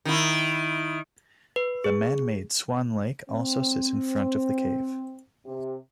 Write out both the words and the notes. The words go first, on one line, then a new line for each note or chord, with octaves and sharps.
The manmade Swan Lake also sits in front of the cave.
D#3 E4
B4
G#4
C4
C3